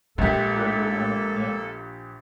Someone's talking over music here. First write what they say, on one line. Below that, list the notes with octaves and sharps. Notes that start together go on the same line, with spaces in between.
Regular woman, yeah.
A#1 G#3 A#3 G4 A4